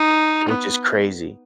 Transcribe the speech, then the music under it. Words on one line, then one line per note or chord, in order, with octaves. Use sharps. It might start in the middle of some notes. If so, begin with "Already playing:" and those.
which is crazy.
Already playing: D#4
B3